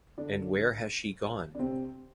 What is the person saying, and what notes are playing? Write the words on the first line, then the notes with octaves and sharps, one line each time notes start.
And where has she gone?
D3 D4
D4
C3 C4